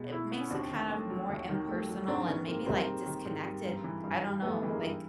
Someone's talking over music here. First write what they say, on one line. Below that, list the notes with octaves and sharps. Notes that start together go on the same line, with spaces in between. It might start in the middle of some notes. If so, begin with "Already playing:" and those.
it makes it kind of more impersonal and maybe, like, disconnected. I don't know, like,
Already playing: B2 G#3 B3
E4
B3
C#4
D#2 C4 D4
D#3
A3
F#3
D#2
D#3
A3
F#3
G#2 C4 D4
D#3 B3 C#4
G#2 A#3 C4
B3
G3 A#3 C4
G#2
D#3
G#2
G3
G2
E3
G2
G3
G2 A3 B3
E3
G#3 A#3
G2